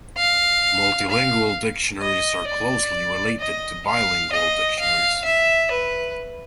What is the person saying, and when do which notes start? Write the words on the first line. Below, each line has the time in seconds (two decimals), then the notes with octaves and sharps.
Multilingual dictionaries are closely related to bilingual dictionaries.
0.17 F5
1.10 F5
2.02 D#5
2.48 D5
3.40 D#5
3.87 F5
4.33 D#5
4.80 F5
5.25 E5
5.72 B4